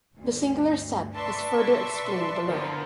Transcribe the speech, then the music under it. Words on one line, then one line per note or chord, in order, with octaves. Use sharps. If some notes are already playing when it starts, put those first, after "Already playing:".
The singular set is further explained below.
G1 D2
B4 D5 E5 A5 C6 C#6
D3 F3 B3 E4 A#4